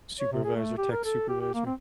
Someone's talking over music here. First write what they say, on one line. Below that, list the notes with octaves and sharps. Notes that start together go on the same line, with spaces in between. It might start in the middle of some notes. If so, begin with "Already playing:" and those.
Supervisor tech supervisor.
C#5
C3
G#4
A3
G4
A#4
A4
G4
G4
A#3
C4